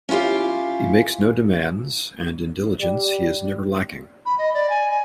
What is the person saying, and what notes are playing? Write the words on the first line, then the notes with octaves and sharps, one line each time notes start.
He makes no demands, and in diligence he is never lacking.
C#4 E4 F4 G4 F5
G3
B5
D#5
D5
G#5
G#5